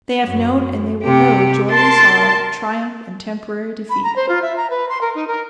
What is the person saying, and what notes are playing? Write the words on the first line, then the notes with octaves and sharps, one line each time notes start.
They have known and they will know joy and sorrow, triumph and temporary defeat.
F#2
C3 G4
A#4 A5 C6
B5
A#5
C5
F4
E5
A#5
B4
C6
A#4
D#4
A#4